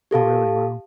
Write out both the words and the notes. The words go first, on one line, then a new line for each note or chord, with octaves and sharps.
Oh, really? Wow.
G4 A4 F5 A5